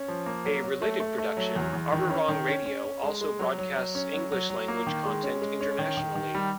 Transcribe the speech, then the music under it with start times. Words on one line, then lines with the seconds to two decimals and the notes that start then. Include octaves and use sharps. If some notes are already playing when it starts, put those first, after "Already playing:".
A related production, Arirang Radio, also broadcasts English-language content internationally.
Already playing: C#4
0.08 F3
0.26 A#3
0.45 F#3
0.64 F#3
0.82 A3
1.00 A3
1.18 A3
1.37 F#3
1.56 E2
1.74 E2
1.92 D#3
2.10 C#4
2.29 D#3
2.48 C#4
2.66 C#4
2.84 C#4
3.03 G#3
3.21 G#3
3.39 F#3
3.58 F#3
3.76 F#3
3.95 C#4
4.13 F#3
4.32 F#3
4.50 F#3
4.68 A#3
4.87 D#3
5.05 G#3
5.23 C#4
5.42 G#3
5.61 C#4
5.79 D#3
5.97 D#3
6.15 D#3
6.35 G3